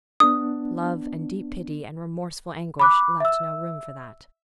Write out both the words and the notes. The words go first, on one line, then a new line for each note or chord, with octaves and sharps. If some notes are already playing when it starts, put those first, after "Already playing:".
Love and deep pity and remorseful anguish left no room for that.
B3 D4 D#6
B5 D6 F#6
E5 E6